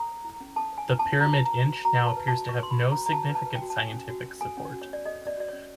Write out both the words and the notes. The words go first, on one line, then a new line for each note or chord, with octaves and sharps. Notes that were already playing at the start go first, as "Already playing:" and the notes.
The pyramid inch now appears to have no significant scientific support.
Already playing: A4 A#5
C5
E4
C#4
A4 A5
C5
G#5
E4
C#4 A5
F#4 A#5
B4 A5
A#5
B4
F#4
F#4 A#5
A#5
B4
A5
B4
F#4 A5
F#4 C#6
B4 C6
B5
B4
A#5
F#4
A#5
F#4 A5
B4
A5
B4
G5
F#4
A5
A4 G#5
C#4
F#4
C#4
A4 G#5
C#4
F#4
C#5
C#4 D5
A4 D#5
C#4
D5
F#4 D5
C#4 C#5